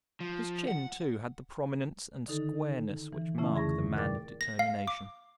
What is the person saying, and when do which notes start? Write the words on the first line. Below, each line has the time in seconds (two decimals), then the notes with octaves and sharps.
His chin, too, had the prominence and squareness which mark the man of determination.
0.20 F3
0.68 F#5
2.28 D3 D#3 D#4 A4
3.13 E3
3.38 C#3 A3 C#4 E4 E5 A5
3.54 F2 D3 G#4 C#6 A#6
3.96 B2 A#4 D5 G5 D6 A6
4.41 A#6
4.59 F5
4.88 D6